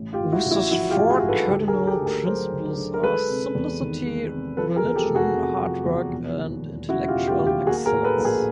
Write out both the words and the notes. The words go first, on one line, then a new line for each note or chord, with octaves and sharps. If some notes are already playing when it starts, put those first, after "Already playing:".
Wooster's four cardinal principles are simplicity, religion, hard work, and intellectual excellence.
Already playing: A1
F4 G4
G#2
E4 F#4
A1
E4 F#4
F3 E4 F#4
F4 G4
A1
F#4 G#4
G#2
A4 B4
D2 G4 A4
G#4 A#4
D3
G4 A4
D2
G#4 A#4
F#3 A#4 C5
D2
D3
A#4
G#3 A4 B4
C3
E2
D#3
G#3
C3
F3 A4 B4
G#4 A#4
E2
G4 A4
F1
F#4 G#4
C3
F3
E2
E1
D#2
E1
C#3 E4 F#4
F4 G4
E1
F4 G4
D#2
F4 G4
A#3 F#4 G#4
G#4 A#4
A2
A4 B4
A#1
G#4 A#4